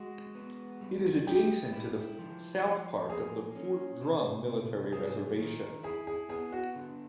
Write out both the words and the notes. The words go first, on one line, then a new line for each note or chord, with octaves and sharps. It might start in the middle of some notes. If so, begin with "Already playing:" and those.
It is adjacent to the south part of the Fort Drum military reservation.
Already playing: G#3 F#4
B3
G3
G#3 G4
E4
F3
F3
A#3 G#4
C#4
C3
C3
F#3 G#4
D#3
E4 G#4
G#4
B3 G#4
F#4
D3